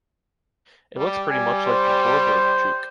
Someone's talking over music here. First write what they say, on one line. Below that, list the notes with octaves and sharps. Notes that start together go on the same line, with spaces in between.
It looks pretty much like the Bourbourg chook.
G3
G3 G#5
C5